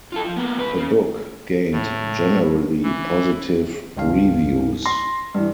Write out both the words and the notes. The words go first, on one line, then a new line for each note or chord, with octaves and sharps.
The book gained generally positive reviews.
F4 A4
F3
A#3 B3
C#2 B4
C#3
A2
E3
C#2 G2 F5
C6 A#6
G2 E3